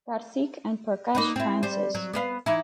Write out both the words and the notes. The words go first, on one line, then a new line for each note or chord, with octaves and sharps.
Karthik and Prakash Francis.
A#3 D#4 B4
C4 E4
G3 C5
F#3
B3 B4 F5
E3 D#4 E4